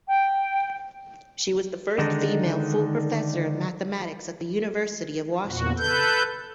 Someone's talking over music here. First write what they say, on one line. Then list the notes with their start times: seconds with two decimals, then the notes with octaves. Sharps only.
She was the first female full professor of mathematics at the University of Washington.
0.08 G5
1.98 D3 D#3 G#3 D4 D#4
5.46 E2 A#2 F#4
5.78 A4 B4 G6